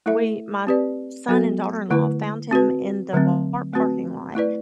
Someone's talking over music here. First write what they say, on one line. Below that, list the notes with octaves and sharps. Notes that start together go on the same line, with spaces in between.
we my son and daughter-in-law found him in the Walmart parking lot,
A3 E4 A4 E5
C4 G4 B4 D5
F#3 B3 F#4 A4
D3 A3 E4 B4
C4 F#4 B4
D3 F#3 A3 C4
A3 C4 F#4 B4
A3 E4 B4 D5